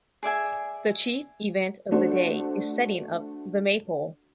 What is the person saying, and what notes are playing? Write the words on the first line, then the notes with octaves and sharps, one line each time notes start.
The chief event of the day is setting up the Maypole.
G#4 D5 E5 G#5
A3 D4 F#4 C5